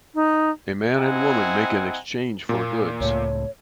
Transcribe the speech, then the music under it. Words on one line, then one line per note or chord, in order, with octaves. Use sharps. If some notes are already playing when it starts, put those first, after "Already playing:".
A man and woman make an exchange for goods.
D#4
C4 E4 D#5 F#5 G#5 A#5
A#2 A#3
C#2 A2 C#5